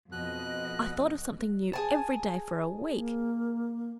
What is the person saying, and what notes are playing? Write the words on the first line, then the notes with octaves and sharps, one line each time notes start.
I thought of something new every day for a week.
F2 B2 D#5 F#6
G#4 G#5 A5
A#3